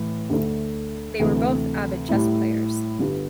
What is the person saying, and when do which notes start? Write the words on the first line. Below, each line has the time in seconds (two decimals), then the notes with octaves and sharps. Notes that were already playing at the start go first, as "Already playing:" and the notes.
They were both avid chess players.
Already playing: A2 E3
0.30 D2 D3 A3 D4
1.20 D2 C3 E3 A3
2.09 A2 G3 E4
2.99 G1 G2 D3